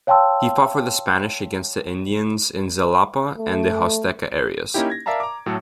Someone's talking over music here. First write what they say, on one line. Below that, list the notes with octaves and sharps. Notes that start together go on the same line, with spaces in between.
He fought for the Spanish against the Indians in Xalapa and the Huasteca areas.
C#5 F5 G5 A5 C6 E6
A3
A#3 C#4 D#4 E4 G4
G#6 A#6
A#4 D5 E5 F5 A5 A#5
A#5 D6
A2 F#3 A4